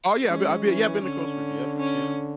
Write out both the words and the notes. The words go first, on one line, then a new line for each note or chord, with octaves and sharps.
Oh, yeah, I've bee I've been yeah, I've been to Costa Rica. Yep, yeah.
G#3 C#4
E3 C#4
D3 C#4
C#4